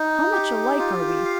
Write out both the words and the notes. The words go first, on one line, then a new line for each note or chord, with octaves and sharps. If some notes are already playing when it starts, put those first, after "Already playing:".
How much alike are we?
Already playing: D#4
G4
F4
F5